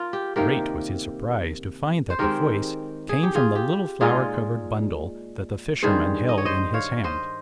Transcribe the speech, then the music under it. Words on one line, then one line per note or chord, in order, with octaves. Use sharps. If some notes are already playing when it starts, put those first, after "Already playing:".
Great was his surprise to find that the voice came from the little flour-covered bundle that the Fisherman held in his hand.
Already playing: F4 A#4
G4
C3 D#3 A#3 G4 A#4
C5
D#3 G#3 C4 G4 A#4
G#4
G4
F4 G#4
G4
A#2 G#3 D#4 F4 G#4
G2 D#3 G3 G#4 C5
D#5
C#5
C5 D#5
C#5 F5
C5 D#5